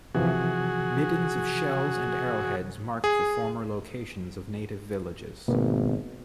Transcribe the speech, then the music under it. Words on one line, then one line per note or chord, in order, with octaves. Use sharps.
Middens of shells and arrowheads marked the former locations of native villages.
C3 E3 F3 F#4 G#4
G#4
G#1 B2 A#3 B3